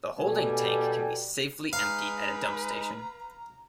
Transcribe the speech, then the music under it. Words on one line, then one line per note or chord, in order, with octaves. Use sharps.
The holding tank can be safely emptied at a dump station.
B2 G3 A4 G#5
G#3 D#4 B4 F5 A#5